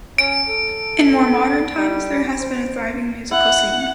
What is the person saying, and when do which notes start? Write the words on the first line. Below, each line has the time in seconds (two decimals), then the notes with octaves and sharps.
In more modern times there has been a thriving musical scene.
0.18 C#4 D7
0.48 A4
1.77 G3
2.40 C5
3.31 E4 F#5